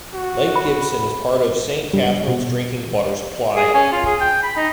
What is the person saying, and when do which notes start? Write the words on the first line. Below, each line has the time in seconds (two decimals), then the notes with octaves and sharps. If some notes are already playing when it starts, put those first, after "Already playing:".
Lake Gibson is part of Saint Catharines' drinking water supply.
0.14 F#4
0.56 B5
1.93 G2
2.28 B2
3.56 G#4
3.74 C#4
3.92 F4
4.06 G#4
4.21 G5
4.43 B5
4.56 D#4